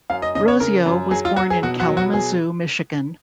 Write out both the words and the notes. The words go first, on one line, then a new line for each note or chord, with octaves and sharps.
Rossio was born in Kalamazoo, Michigan.
F#2 F5
D#5
C#3 D#5
C#5
C#3 A#4
F#2
F#3 G#4
F4
F#3 F#4
G#4
B2 F#4
F#4
F#3
F#4
B2 G#4